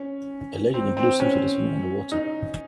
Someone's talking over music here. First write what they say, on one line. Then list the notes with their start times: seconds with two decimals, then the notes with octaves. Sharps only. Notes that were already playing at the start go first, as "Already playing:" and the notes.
A lady in a blue swimsuit is swimming underwater.
Already playing: C#4
0.74 C4
0.97 C4
1.20 C#4
2.12 D#4